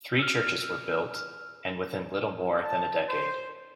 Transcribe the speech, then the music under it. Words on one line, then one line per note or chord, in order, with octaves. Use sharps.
Three churches were built, and within little more than a decade.
E6 F6
A5
C5